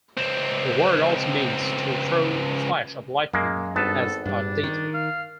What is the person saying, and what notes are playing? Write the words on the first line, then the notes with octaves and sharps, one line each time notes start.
The word also means "to throw a flash of lightning, as a deity".
C#2 C4
F#2 G#3 A#3
G#1 G2 B3 A4 A5
G2 G3 D4
D#3
F5